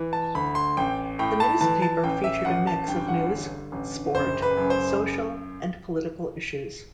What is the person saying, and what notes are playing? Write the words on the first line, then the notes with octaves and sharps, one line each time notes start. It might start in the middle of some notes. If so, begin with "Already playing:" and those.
The newspaper featured a mix of news, sport, social and political issues.
Already playing: E3
A5
D2 B5
C6
A1 G5
A2 G5
A5
E3 A5
A5
A1 G5
E5
A1 F#5
A5
G2 G5
F#5
D3
A1
F#1 C5
B4
F#2
C5